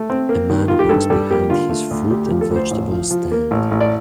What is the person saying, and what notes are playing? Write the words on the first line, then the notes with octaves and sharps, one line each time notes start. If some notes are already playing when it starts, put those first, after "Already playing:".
A man works behind his fruit and vegetable stand.
Already playing: A3
C4
A#3
D#3
D#3 F4
G4
G2 A4
G3 A4
A#3 G4
D3 F4
A3
D2
D2 G4
F3 G4
A4
D2
C5
A1
F3
F3
A#3
A1
A1
D5